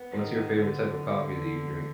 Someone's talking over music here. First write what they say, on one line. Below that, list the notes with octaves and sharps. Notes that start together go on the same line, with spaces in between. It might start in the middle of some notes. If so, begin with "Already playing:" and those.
what's your favorite type of coffee that you drink?
Already playing: B3
D#3
D3